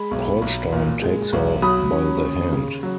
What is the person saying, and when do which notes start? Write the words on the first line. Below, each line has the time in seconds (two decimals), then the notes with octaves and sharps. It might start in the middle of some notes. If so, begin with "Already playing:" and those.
Holstein takes her by the hand.
Already playing: G#3 B5
0.11 B1
0.42 B1
0.72 A#2
1.02 G#3
1.33 B1
1.62 F#3 B5 D#6
1.92 C#4
2.22 D#2
2.52 C#3
2.83 F#3